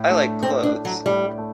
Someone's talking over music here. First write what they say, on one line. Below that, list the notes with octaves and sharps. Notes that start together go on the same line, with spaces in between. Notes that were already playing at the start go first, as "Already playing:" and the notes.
I like clothes.
Already playing: A2
A3 D4
A2 C4
D4
A3 D4
F#3
A2 G3
A3